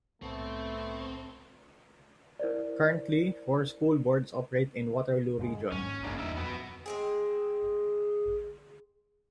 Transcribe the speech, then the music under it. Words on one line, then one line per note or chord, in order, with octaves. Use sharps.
Currently, four school boards operate in Waterloo Region.
C2 A2 A3 B3 C4 A4 C#6
E4 A#4 C5 D5
G2 D3 G#3
D#2 G#2 C#4
G1 F#2 C#3 G#3 A#3 D4
E2 G2 D#4 E5
D#1 F2 F#3 B3 F#4 B4
G#3 C4 G#4